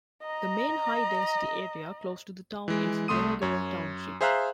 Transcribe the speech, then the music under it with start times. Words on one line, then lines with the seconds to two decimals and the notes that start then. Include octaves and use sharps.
The main high density area close to the town is "Vengere" township.
0.22 D#5 A#5
2.68 E3 G#3
3.08 C2 A3 C6 D#6 D#7
3.42 F#2 C#5
4.21 G#4 C5 E5 F5 A#5 F#6